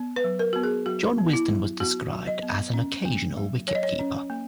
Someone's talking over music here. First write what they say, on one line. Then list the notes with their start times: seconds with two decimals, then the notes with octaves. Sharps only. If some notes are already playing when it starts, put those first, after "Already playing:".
John Wisden was described as an occasional wicket-keeper.
Already playing: B3
0.16 B4
0.24 F#3
0.39 A#4
0.53 B3 F#4
0.63 G#4
0.86 F#3 F#4
1.18 B3
1.33 E4
1.49 F#3
1.80 B3 F#4
2.12 F#3
2.27 D#5
2.43 B3
2.74 C#4
3.05 A#3
3.37 F#3
3.67 F#3 C#5
3.75 D#5
3.83 C#5
3.99 C#4
4.30 A#3